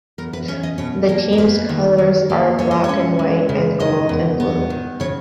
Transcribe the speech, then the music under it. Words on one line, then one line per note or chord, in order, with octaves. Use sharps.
The team's colors are black and white, and gold and blue.
E2 A#4
B4
C#4 C#5
D#5
B2 C#5
A#3 A#4
A#4
A#3 B4
D#3
D#3
A#3
G#3 C#5
D#5
C#5
C#4
G#3
C#3
G#3 D#5
E2
B3
D#3
C#3 C#5